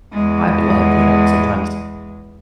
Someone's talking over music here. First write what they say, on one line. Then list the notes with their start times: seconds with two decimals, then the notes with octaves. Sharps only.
by blood, you know? Sometimes
0.12 E2 G#3